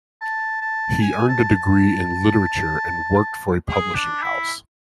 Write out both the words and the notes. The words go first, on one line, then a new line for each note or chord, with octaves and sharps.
He earned a degree in literature and worked for a publishing house.
A5
A5
G#5
A5
A5
G#4
D4
E4